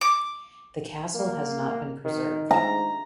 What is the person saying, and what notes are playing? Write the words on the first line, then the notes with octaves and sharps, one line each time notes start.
The castle has not been preserved.
D6
A#3
D#3
G#2 A#5